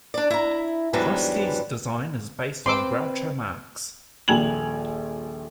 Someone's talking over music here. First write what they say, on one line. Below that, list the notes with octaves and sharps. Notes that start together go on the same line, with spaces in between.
Krusty's design is based on Groucho Marx.
D4 D5
E4 A#5
E2 G#2 F#3 G3 D4 B4
C4 B4 C6 D6 E6
D#1 A#1 G#5 G#6 F7 F#7